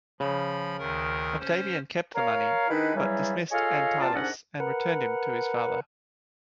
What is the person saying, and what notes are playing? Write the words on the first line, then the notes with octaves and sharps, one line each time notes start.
Octavian kept the money, but dismissed Antyllus and returned him to his father.
C#3 F3 B5
D2 D#3 A#4
C#4 C5
A#4 C#5 F5
D#3 G#3 D4 E4 B4
C#3 E3 F#3 G3
F4 G#4 A4 C#5 D#5 F5
A#2 C4 F4 F5 A5
C2 G#2 C#4 D4 D#5 F#5
A#4 B4 F#5